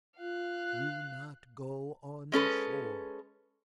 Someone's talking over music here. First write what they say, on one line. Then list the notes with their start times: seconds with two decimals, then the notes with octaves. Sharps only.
Do not go on shore.
0.18 F4 F5 F#6
2.32 G#3 C#4 A4 B4